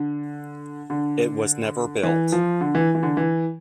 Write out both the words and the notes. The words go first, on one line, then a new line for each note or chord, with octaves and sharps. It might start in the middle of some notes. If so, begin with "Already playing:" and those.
It was never built.
Already playing: D3
D3
E3
F3
D3
E3
E3
D3
E3